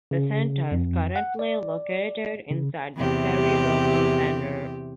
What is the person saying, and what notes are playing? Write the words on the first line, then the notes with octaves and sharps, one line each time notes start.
The center is currently located inside the Perry Welcome Center.
C#3
F2
F#5
D5
C#3
E2 C3 G4